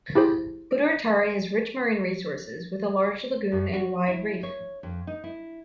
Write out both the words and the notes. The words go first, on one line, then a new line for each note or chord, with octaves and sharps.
Butaritari has rich marine resources, with a large lagoon and wide reef.
E4 G4 G#4 C5
F#2
F#4
E4
C#5
F2
D#4
E4